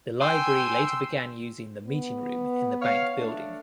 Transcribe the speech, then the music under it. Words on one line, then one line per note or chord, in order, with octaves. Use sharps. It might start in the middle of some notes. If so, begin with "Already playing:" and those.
The library later began using the meeting room in the bank building.
G5 G#5 C6 E6
B3
C#5 F5
A3 D4